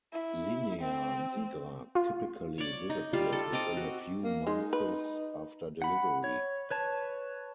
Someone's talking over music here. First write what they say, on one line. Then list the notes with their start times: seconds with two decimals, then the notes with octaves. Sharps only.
Linea nigra typically disappears within a few months after delivery.
0.12 E4
0.81 C4
1.95 F4
2.58 C#5 D5
2.90 D#4
3.13 G3 F4 G4
3.32 A4
3.52 C4 D#5 A#5 D6
3.77 F#4
4.24 A#3
4.47 G#3 D#4
4.73 B4
5.82 F#5 B5
6.24 C#5
6.71 B4 C#5 A5